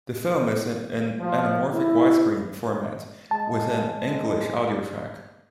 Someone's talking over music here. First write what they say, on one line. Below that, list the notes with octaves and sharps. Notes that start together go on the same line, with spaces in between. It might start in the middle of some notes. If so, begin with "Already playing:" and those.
The film is in anamorphic widescreen format with an English audiotrack.
F3
E4
G#3 A5